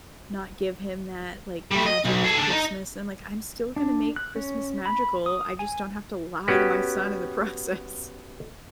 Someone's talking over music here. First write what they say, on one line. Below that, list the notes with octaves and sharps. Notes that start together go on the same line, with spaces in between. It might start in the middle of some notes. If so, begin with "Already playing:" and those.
not give him that, like, magic of Christmas," and, I'm like, "I'm still gonna make Christmas magical, I just don't have to lie to my son in the process."
G3 A3
D#5
B1
G#4 A4
D4 A4
D#4
D4
F#6
C#4
B5
D#6
G#5
B3 C#4 F#4 G4 B4